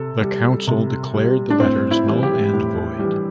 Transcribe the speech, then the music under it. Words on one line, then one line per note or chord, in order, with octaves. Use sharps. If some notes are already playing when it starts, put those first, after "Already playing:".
The Council declared the letters null and void.
Already playing: C3 A4
G3
C3
G3
D4
A2 C4
E4
E3 G3
G4
A2
E3 G3